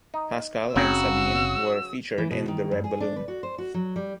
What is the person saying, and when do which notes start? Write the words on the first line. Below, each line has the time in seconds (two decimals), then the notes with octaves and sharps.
Pascal and Sabine were featured in "The Red Balloon".
0.14 D#4
0.76 F#1 C#3 F#3 C4 C#4 F#4 G5 E6
2.18 E3
2.31 B2
2.48 D#3
2.71 G2
2.84 G#4
3.00 D4
3.16 B4
3.28 F#4
3.43 C5
3.58 F#4
3.74 F#3
3.96 G3